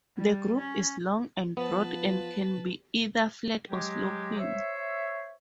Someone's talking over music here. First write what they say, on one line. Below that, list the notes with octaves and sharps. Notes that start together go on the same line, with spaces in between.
The croup is long and broad and can be either flat or sloping.
G3
C#4
F3 B3 B4 A5
F#3 G#3 G4
C5 C#5 E5